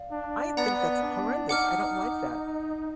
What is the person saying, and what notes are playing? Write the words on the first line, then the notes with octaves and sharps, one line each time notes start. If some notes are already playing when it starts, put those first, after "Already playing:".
I think that's horrendous. I don't like that.
Already playing: D5 F5
D4
B3 D5 F#5 A#5
D4
D#4 F#5 D6 F6